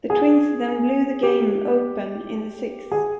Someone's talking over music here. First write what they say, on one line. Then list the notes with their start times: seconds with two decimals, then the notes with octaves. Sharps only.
The Twins then blew the game open in the sixth.
0.10 G#4
1.23 G4
2.92 G#4